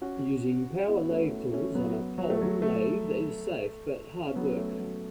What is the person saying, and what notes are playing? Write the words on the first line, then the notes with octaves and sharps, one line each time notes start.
Using power lathe tools on a pole lathe is safe, but hard work.
C#4 F#4
B3 E4
B3
A3 C#4
A3
A3 C#4
F#3 B3
F#3
A3
F#3
A3
C#4
F#3 B3
A3
F#3